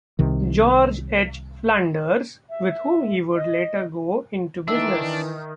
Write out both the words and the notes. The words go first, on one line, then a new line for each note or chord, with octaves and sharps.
George H. Flanders, with whom he would later go into business.
C2 C3 D#3
E5
D#5
D#3 E3 D4 E5